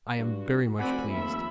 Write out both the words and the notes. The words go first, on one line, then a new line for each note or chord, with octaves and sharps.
I am very much pleased.
G2 F#4
F1 C4 F#4 D5 F#5 G#5 B5
D#2 F3 E5 B5